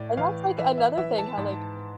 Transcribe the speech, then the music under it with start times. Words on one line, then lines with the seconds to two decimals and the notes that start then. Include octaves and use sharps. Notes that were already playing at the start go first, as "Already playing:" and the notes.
And that's like another thing how, like,
Already playing: A2 D5
0.17 E3 F5
0.58 E3 E5
0.78 E5
0.98 E3 E5
1.18 A5
1.38 G#2